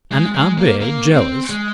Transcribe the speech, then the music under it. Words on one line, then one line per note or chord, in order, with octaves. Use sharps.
"An abbe jealous?"
G#3
G#3
A#3
A#3
C4
G#3